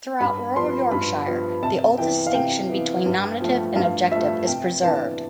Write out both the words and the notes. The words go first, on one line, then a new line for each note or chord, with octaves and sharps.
Throughout rural Yorkshire, the old distinction between nominative and objective is preserved.
G2 B5
F3 B3 C6
G2 B5
F3 B3
C3 A5
E3 B3 G5
F5
C3 G5
E3 B3
G2
F3 A3
G2 F5
F3 A3 E5
C3 G5
E3 B3 D4 A5